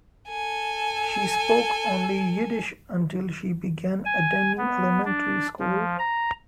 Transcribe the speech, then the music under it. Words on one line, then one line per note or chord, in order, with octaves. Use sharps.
She spoke only Yiddish until she began attending elementary school.
A4 G#5
G#5
B3
D4
F3
A#5